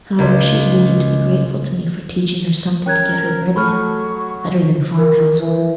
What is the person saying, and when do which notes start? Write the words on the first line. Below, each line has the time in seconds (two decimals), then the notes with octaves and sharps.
However, she's reason to be grateful to me for teaching her something to get her bread with, better than farm-house work.
0.19 C#2
2.86 C#4 A#4 G5 F#6 G#6
3.56 F#3 A3 G#4 B5 C#6 F6
4.12 F#3
4.98 A#4
5.40 E3